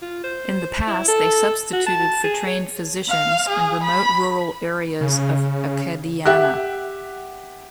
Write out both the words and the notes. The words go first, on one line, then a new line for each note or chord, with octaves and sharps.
In the past, they substituted for trained physicians in remote rural areas of Acadiana.
F4
C5
E4
A4
F#4
A5
G#4
C#5
F5
G#4
B5
C#3
G4 E5 F#5 F#6